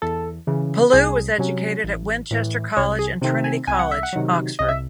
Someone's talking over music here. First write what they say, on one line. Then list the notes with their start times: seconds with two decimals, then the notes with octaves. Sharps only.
Pellew was educated at Winchester College and Trinity College, Oxford.
0.02 E2 A4
0.47 C#3 E3
0.93 C2 G#4
1.38 C3 F#3 C#4
1.84 A1
2.31 A2 E3
2.77 C2 C#5
2.99 G#4
3.21 C3 D#3 A3 C4
3.44 G#5
3.67 C2 G#5
3.79 F#5
3.91 E5
4.03 F#5
4.13 C3 D#3 F#3
4.59 C2 D#5
4.69 E5